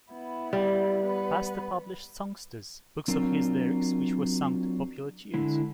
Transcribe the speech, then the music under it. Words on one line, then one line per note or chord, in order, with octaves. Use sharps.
Pastor published "songsters", books of his lyrics which were sung to popular tunes.
B3 E4
G3
B3 B4
F#3 C4 D4 F4 A#4
D3 G#3 E4